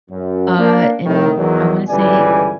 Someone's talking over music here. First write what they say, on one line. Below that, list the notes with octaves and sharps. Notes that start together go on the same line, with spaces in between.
uh, and I wanna say
F#2
A#3 D4
C2 A2 D#3
E2 D#3 F#3
G1 C#2 E3 G3 D5 G#5